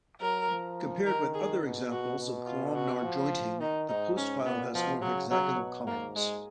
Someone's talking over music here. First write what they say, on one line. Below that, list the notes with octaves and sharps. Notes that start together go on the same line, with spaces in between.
Compared with other examples of columnar jointing, the Postpile has more hexagonal columns.
F#3 A#4
F3
D#3 A#4
G#4
B2
F#4
B2
F4
F#4
F3
D#3 D#4
G#2 D#4
C#4
A#2 B3
B2 F3
C#3 F#3
C#3 F#3
B2
G#2 A#3
G#3